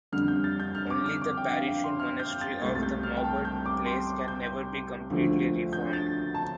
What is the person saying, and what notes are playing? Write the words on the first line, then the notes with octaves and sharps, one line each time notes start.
Only the Parisian monastery of the Maubert place can never be completely reformed.
F2 D3 G3 F6
G6
A6
G6
F6
D6
F6
D6
G5
F5
G5
C6
F6
G6
A6
C2 C3 A3 A6
A6
G6
F6
G5
A5
G6
D6
C6
D6
G6
D2 D3 F3 A3
G6
A6
A5